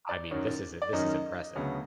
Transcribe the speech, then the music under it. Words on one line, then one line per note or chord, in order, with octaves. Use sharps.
I mean, this is i this is impressive.
D5
F#2 D#3 F#3
D5
F#2 D#3 F#3 D#5
D2 C#3 F#3 B3